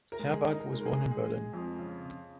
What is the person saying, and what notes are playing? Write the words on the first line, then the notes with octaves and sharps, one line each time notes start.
Herwarth was born in Berlin.
A#4
G#3
G#4
D#4
A#4
G#3 A#4
G#4
G#3
G#4
G#3
F2
C#3
C#3